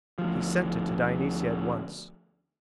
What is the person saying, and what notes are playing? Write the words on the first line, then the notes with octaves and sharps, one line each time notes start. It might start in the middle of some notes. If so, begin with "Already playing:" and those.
He sent it to Dionysia at once.
D2 F3